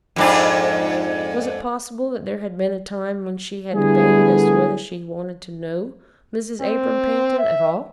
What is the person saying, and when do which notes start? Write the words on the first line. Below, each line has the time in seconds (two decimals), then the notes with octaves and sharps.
Was it possible that there had been a time when she had debated as to whether she wanted to know Mrs. Abram Pantin at all?
0.16 F2 G#2 D4
3.74 D3 G3 A3 B3 E4 G#4
6.62 C4
7.39 E5